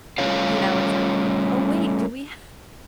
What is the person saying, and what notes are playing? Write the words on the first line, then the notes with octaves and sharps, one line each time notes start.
you know, it's like, "Oh, wait, do we ha"
G3 A3 C#4 F4 C#5 F5